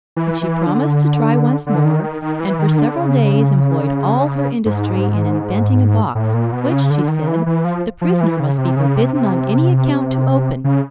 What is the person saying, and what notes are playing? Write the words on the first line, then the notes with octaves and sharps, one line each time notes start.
But she promised to try once more; and for several days employed all her industry in inventing a box, which, she said, the prisoner must be forbidden on any account to open.
E3
E3
D3
D3
D#3
D#3
D#3
E3
D#3
D3
C#3
G#2
A2
A#2
B2
C#3
D3
D#3
E3
E3
F3
F3
E3
C#3
C3
C#3
C3
C3
C#3